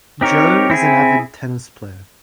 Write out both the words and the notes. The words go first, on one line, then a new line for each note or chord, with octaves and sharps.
Joe is an avid tennis player.
C4 D#4 G4 A#4 C#5
C4 E4 G#4